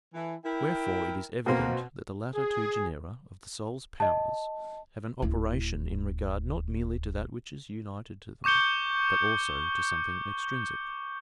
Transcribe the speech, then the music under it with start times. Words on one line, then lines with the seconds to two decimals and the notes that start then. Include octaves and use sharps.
Wherefore it is evident that the latter two genera of the soul's powers have an operation in regard not merely to that which is united to them, but also to something extrinsic.
0.14 E3 E4 A4
0.44 E4 A#4 G5
1.46 B2 A#3 C4 F4 A#4
2.35 G#4
4.00 D#5 A5
5.22 D1 E4
8.44 C#6 D6 G6 C#7 G7